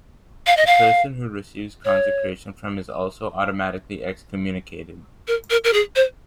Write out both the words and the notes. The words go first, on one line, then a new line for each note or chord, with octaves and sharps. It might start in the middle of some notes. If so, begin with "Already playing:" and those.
The person who receives consecration from him is also automatically excommunicated.
F5
D#5
F5
C#5
A#4
A#4
A#4
G#4
C5